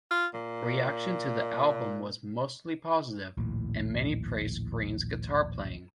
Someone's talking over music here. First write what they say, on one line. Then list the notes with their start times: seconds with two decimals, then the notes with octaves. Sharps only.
Reaction to the album was mostly positive, and many praised Green's guitar playing.
0.11 F4
0.34 A#2
3.37 A#1 D#2 A2